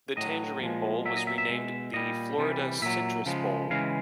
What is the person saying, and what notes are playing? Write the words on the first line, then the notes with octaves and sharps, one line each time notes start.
The Tangerine Bowl was renamed the Florida Citrus Bowl.
A2 F#3 D#5
A#2 F3 G#3
A#2 F#3 E5
D#5
E5
E5
B2 G#3
A#2 G3 D#5
C3 E3 G3
A#2 F#3 E5
C#3 F3 G#3
C#3 E3 G#3 F5